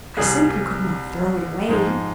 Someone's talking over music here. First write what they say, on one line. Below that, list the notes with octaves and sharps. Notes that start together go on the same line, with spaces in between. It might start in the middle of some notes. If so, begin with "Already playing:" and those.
I simply could not throw it away.
C2 C3 G3 G#4
G#2 F3 G#3